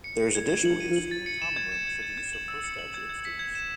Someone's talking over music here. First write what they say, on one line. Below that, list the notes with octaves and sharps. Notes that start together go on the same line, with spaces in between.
There is additionally a Senior Common Room for the use of postgraduate students.
C#7
C#7
G#6
G#6
F#7
D#7
F#7
A6
C#7
E7
G#6
E7
G#6
G#6
G#6
F#7
E6
C#7
F#7
G#6
G#6
B6
G#6
E7